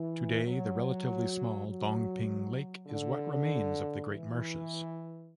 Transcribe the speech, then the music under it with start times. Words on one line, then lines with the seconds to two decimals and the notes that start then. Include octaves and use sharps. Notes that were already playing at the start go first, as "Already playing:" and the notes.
Today the relatively small Dongping Lake is what remains of the great marshes.
Already playing: E3
0.45 F#3
1.66 F#3
2.87 D3
4.08 E3